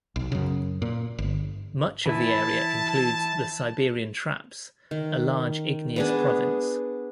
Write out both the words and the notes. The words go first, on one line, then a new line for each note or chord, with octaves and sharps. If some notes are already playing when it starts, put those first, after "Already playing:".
Much of the area includes the Siberian Traps-a large igneous province.
B1
F#2 C#3
A#2
G1
E3 E4 A5
D#3
B3 D4 G#4